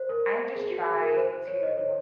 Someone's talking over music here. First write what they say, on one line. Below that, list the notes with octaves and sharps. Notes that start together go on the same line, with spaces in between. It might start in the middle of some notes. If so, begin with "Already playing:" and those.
I just try to
Already playing: C5
A#4
G#4
F#4
G#4
A#4
C5
C5
C#5
C5 D#5
C#5